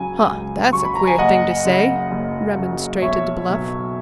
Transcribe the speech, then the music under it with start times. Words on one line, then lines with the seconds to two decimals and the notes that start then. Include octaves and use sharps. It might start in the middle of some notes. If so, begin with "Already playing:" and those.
"Huh! that's a queer thing to say," remonstrated Bluff.
Already playing: C#2 C#3 F#3 G#5
0.27 C#2
0.73 C#3 F#3 C#6
0.85 B5
0.95 A#5
1.07 G#5
1.18 F#1 D#5 F#5
1.65 F#2 C#3 F#3
2.11 F#1
2.57 F#2 C#3 F#3
3.02 B1 C#5 E5
3.48 B2 F#3